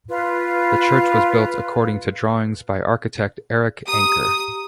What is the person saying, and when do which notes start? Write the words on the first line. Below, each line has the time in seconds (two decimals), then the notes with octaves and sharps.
The church was built according to drawings by architect Erik Anker.
0.09 F4 B4
3.87 G4 A#5 D#6